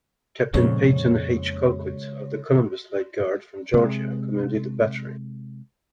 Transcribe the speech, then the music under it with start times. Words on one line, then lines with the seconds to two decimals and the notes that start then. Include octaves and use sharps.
Captain Peyton H. Colquitt of the Columbus Light Guard from Georgia commanded the battery.
0.54 F2 A#2 C#3 G#3 C#5
3.74 C3 G#3